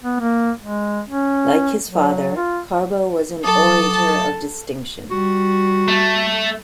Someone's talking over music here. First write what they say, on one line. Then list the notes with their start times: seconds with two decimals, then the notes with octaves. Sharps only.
Like his father, Carbo was an orator of distinction.
0.02 B3
0.20 A#3
0.61 G#3
1.09 C#4
1.89 F#3
2.36 F4
3.44 F#3 A4 A5 D6 D#6
5.11 G3 F#4
5.88 A3